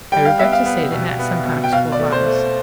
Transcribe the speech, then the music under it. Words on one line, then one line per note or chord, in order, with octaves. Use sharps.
I regret to say that Nat sometimes told lies.
G3 G5
F5
B3 E5
F5
B3
B2
B3
B2
G5
B2 F5
D5
A3
C5
A3